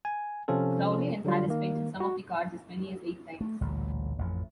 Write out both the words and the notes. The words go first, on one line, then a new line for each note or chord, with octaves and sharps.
Crowley and Harris painted some of the cards as many as eight times.
G#5
C3 F3 C#4 F4 A4
D3 F#3 G3 F4
D#3 A#3
F#4
A3
A1 D2 A#2 G3
A1 F2